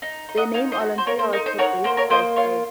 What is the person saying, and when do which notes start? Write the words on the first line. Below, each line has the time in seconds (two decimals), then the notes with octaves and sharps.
The name "Olympia" was proposed by Stagg.
0.02 D#4
0.29 D#4
0.37 D#5 F#5
0.54 D#4 C#5 F5
0.72 C5 D#5
0.80 F#4
0.98 C5
1.06 A#3 A#4 C#5
1.19 C5
1.33 D#4 A#4
1.46 C5
1.58 F#4 A#4 C#5
1.84 A#3 C5
1.97 A#4 C#5
2.10 A#3 C5 D#5
2.36 F4 C#5 F5